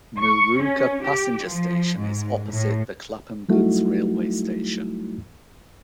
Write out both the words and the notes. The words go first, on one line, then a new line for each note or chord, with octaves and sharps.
Moorooka passenger station is opposite the Clapham goods railway station.
C#6
C#4
G4
F3
G#2
A2
F#3 G3 A3 D#4 E4 F#4